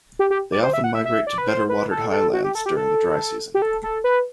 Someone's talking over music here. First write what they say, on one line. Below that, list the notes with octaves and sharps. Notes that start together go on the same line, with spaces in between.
They often migrate to better watered highlands during the dry season.
G4
G4
D5
C5
E5
F#5
E5
E5
D5
B4
C5
B4
A4
A4
F#4
G4
A4
G4
A4
G4
A4
A4
B4